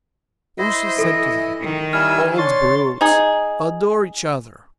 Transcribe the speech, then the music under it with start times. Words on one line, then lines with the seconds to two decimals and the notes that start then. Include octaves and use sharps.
Ursus said to them,--"Old brutes, adore each other!"
0.59 E4 C5 D#5
0.98 E3 A4
1.61 D#3
1.93 G3 E4 G#5 E6 F6
2.38 D4 C#5 C6 A6
3.01 D#4 G#4